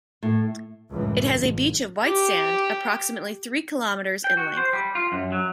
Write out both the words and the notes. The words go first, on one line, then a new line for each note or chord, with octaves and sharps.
It has a beach of white sand, approximately three kilometres in length.
A2
C#2 F#2 A2 E3
A1
G4
G5
F#4
C5
G3
F4
F#2
F#3